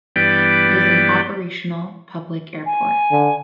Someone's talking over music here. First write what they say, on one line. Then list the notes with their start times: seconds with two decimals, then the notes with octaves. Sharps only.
It is an operational public airport.
0.16 G2 E3 B3 D5 G5
2.66 G#5
3.11 D3